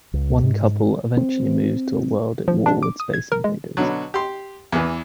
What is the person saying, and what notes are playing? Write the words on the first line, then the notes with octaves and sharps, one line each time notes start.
One couple eventually moves to a world at war with space invaders.
C#2
G#2
C4
F3
D4
D6
D#6
G#6
A#4
G#3
B2 D3 F#3
G4 C6
E2 E3